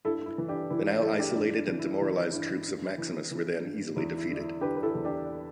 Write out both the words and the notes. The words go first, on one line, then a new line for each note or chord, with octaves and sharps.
The now isolated and demoralized troops of Maximus were then easily defeated.
G2 E4 A4
E4
E3
D4 G4
E3 E4
D4
G2 E4 A4
D4 G4
G2 D4
D4
E3
E4
E3 D4
G2 E4
G2
E3
E3
G2
E2 E4
E4
D3
D4
E4
D3 G4 B4
B4
E4 A4
E2
D4 G4